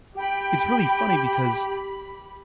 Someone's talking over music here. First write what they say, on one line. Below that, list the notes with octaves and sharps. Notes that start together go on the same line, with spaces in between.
It's really funny because
G4 G5 B5